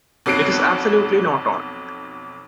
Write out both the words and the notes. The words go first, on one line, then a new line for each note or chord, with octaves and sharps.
It is absolutely not on.
B1 F2 F#4 C7 D7